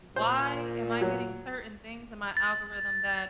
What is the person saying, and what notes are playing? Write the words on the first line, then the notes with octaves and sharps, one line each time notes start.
why am I getting certain things in my algorithm that,
A#2 C5
F#3
A6